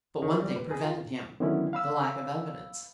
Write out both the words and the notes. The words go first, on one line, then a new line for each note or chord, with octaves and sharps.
But one thing prevented him:--the lack of evidence.
D#3
G3
B4
G#4
F4
D3 D#3 F#3 B3 C#4 E4
F5 B5 E6